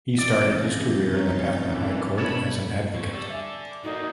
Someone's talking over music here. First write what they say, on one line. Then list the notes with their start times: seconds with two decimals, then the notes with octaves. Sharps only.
He started his career in the Patna High Court as an advocate.
0.18 F1 E3 D5 G6 A6
0.61 C#3
1.09 F3 C#4 D#4
1.71 B2 E3 A#3 C#4 A4
2.17 E1 B2 C#5 A5 B5
2.94 C4 C#5
3.13 G3 G4 A4 D5 C#6
3.30 E5 G#5
3.84 A2 A#3 D#4 F#4 A4 D5